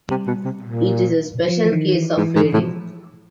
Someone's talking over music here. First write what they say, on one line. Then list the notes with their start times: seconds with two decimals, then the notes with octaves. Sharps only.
It is a special case of fading.
0.10 C3 G3
0.27 B2
0.44 C3
0.62 A#2
1.48 F3
1.65 E3
1.72 D#3
1.94 E3
2.17 G#2 E3
2.35 G#2
2.53 A2
2.57 F3